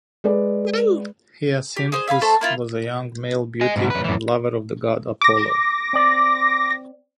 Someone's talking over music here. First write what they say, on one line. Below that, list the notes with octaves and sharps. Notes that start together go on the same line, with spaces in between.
Hyacinthus was a young male beauty and lover of the god Apollo.
G#3 B4 D5
G4
G#4 C5
E5 F5 G#5 B5
A3 A4 C5
A#3 E4 F4
D#5 G#5
G#2 B2
F#2 B4
F#2 E3
D6 A#6
C4 D5